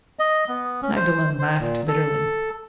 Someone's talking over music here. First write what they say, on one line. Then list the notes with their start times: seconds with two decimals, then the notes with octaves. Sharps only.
Magdalen laughed, bitterly.
0.19 D#5
0.48 B3
0.82 C#4
0.96 C5
1.39 C5
1.60 A#2
1.88 A4